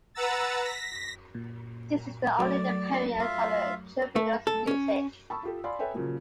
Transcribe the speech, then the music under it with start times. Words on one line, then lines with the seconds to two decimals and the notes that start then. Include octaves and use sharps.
This is the only appearance of Cherubino's music.
0.15 B4 F#5 A#5 E6 A6
0.62 A#6 B6
1.35 A#2
2.39 F#3 A3 D5
3.19 F4 E5 F5
4.16 A3
4.47 A4
4.67 C#4
5.30 A5 B5 C#6 D#6 E6
5.43 F4 G4 A4
5.64 D5 F5 G#5 B5 C6
5.79 A4 B4 C#5 E5 G5 G#5
5.94 A#2 C#3 F3 F#3 A#3